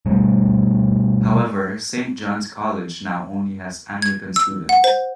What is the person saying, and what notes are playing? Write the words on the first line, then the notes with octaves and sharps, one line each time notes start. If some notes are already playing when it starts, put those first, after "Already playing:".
However, Saint John's College now only has Anglican students.
B2 G3 A3
G#6
E6
F#5
C5